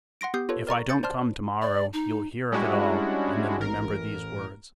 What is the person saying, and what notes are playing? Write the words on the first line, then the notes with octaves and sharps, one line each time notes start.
If I don't come to-morrow, you'll hear of it all, and then remember these words.
F#5 C6 A#6 D7
B3 G4 D#6 G6 C7
F4 A4 B4 C#5
A#4 D5 A#5 C#6
G6 A6 C#7
C5 D5 A5 C6 F6
D5
D#4
G3 G#3 C#4 D4 E4 F#4
A1 A#4